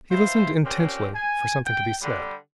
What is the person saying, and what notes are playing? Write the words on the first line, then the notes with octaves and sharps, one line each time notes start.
He listened intently for something to be said.
E3 C5 E5 F5 C6
A#2 C4 C#4 F4 G4
G#5
G5
D3 G3